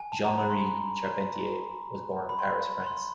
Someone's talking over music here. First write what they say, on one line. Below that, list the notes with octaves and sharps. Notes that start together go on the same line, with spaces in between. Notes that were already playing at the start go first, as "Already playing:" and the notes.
Jean-Marie Charpentier was born in Paris, France.
G#5
A5
A#5
B5
C6
B5
C6
C6